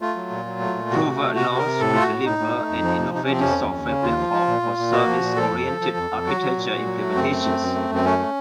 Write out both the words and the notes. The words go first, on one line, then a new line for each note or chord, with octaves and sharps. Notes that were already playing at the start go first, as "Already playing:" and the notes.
Prova allows to deliver an innovative software platform for Service-oriented architecture implementations.
A3 F4
F#3
A#2
F#3
A3
A#2
C3 F#4
A3
C3
C3 F#4
C3
A#4
C3
A2 A4
A3 F4
F#4
A2
A2 D#4
A2
A3
F2
F3
C3
C3 D#4
C#4
F3 C4
F2 C#4
D#2
D#2
C#3
D#2 F4
F3
F3
A#2
A#2
A#2
A#3 F#4
F3
A#2
F3 A4
F2
F3
F3
F2
F2
F#3 F#4
F#3
A#2
A#2
F#3
A3
F#2 C4
A3
F#2
F#2
A3
F#2
C4
A3 C#4
A3